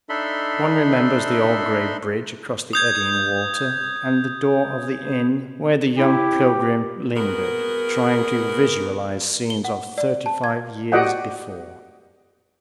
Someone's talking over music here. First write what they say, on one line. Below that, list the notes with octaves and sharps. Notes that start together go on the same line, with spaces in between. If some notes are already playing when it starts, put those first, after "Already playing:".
One remembers the old gray bridge across the eddying water, and the door of the inn where the young pilgrim lingered, trying to visualize scenes of thirty-five years before.
D4 D#4 A4 E5 B5 C6
D#6 G6 G#6
E4 G4
B3 F#4 G#4 A#4
G7
F#5
D5
A5
G#6
F#4 G4 D5 D#5 F#5 G5